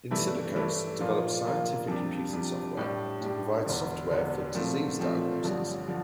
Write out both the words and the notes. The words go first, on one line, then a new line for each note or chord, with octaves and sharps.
Insilicos develops scientific computing software to provide software for disease diagnoses.
G2 E3 A3 E4
G2 E3 A3 E4
A#2 F3 A#3 F4
A#2 F3 A#3 F4
F2 C3 G3 D4 G4
F2 C3 G3 D4 G4
A2 G3 D4 G4
A2 G3 D4 G4
E1 E2 D3
E1 E2 D3
A#2 F3 A3 C4
A#2 F3 A3 C4
A1 G2 D3 F3
D3 F3